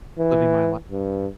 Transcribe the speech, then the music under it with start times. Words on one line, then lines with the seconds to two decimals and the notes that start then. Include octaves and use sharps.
living my li"
0.18 E3
0.91 G2